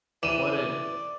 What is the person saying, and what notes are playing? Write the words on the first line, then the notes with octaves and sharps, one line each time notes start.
What did
E3 D5 D#7 E7